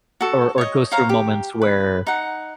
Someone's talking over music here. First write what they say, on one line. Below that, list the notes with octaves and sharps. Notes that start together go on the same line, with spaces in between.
or or goes through moments where,
F#4 A4
C#5 D#5
C5 C#5 F5 A#5
G4
B4
D#4 F#5